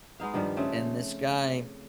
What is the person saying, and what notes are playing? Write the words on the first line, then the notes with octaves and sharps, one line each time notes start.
and, this guy,
G#3 B3 D#4 F5
G2 D#3 F3 G3
C#3 A3 C4